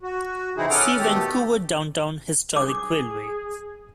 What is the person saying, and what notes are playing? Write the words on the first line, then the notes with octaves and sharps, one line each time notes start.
See Vancouver Downtown Historic Railway.
F#4
C3 E3 C4 D#4 E4 G#4
C#4 A4 F#5 D6 D#6 F6
B2 D#3 A3 G4 A4
G#4 D6